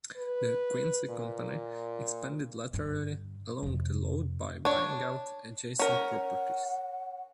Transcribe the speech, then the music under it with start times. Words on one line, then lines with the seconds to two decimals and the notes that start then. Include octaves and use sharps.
The Quincy company expanded laterally along the lode by buying out adjacent properties.
0.17 B4
1.10 A#2
2.74 G2 D3
3.63 F2 C3
4.65 D4 C#5
5.79 C#4 A#4 F#5